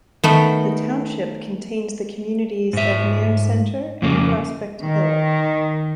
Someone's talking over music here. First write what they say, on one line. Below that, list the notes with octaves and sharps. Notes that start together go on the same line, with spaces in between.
The township contains the communities of Nairn Centre and Prospect Hill.
D#3 A3 B3
G#2 E5
F2 C#3 A#3
D#3